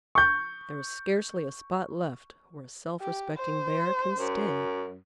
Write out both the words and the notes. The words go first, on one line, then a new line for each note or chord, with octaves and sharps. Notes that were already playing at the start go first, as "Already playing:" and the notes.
There is scarcely a spot left where a self-respecting Bear can stay.
C#6 G6
G4
C5
F#2